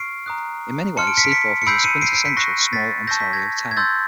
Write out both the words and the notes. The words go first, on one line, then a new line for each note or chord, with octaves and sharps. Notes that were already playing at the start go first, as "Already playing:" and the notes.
In many ways, Seaforth is the quintessential small Ontario town.
Already playing: C#6 F6 C7 D7
A#5 D#6 F#6
A5 C6 F6 C#7
D7
B6 C#7
D7
B6 C#7
C#7
B5 E6 G6 C7 D7
C#7 D#7
C7 D7
C7 D7
B6 C#7
C#6 F#6 A#6 C7
A6 B6
A5 C#6 E6 G6 A#6
B6
G#6 A#6
G#6
C6 E6 G6 A6